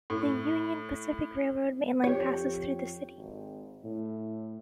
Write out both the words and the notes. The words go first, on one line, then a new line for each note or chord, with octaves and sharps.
The Union Pacific Railroad mainline passes through the city.
A2
F2 G4 C#5
G#1
A2